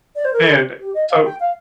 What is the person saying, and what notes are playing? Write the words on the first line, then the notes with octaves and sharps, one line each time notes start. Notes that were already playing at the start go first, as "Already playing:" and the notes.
And, so
D5
C5
A#4
A4
G4
G4
D#5
F5
G5
F5